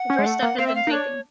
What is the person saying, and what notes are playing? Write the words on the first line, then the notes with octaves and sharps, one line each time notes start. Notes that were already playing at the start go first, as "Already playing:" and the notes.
The first step had been taken.
Already playing: F#5
C#4
G#3
A3
A#3
C4 F5
E5
F5
D#4
D4 C#5